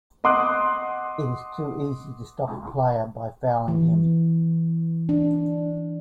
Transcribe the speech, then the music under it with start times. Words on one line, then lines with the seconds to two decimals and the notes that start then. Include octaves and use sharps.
It is too easy to stop a player by fouling him.
0.24 D#5 F#5 C6 D6 D#6 F#6
3.68 E3
5.09 D4